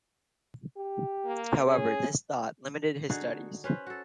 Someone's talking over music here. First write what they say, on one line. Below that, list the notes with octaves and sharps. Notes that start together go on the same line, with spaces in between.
However, this thought limited his studies.
G4
A#3
C#4 G#4
D3 D#4 F#4 G#4
C#4 B4 C5
F#4 A4